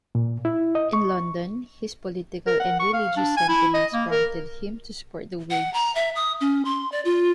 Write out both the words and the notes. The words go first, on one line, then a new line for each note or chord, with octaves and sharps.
In London, his political and religious sentiments prompted him to support the Whigs.
A#2
E4
D#5
C#6
A#4
F#5
C#6
F5
D4
G#5
E4
D#5
A#3
A#4
F#5
A#5
E5
D#6
C#4
C6
D5
F4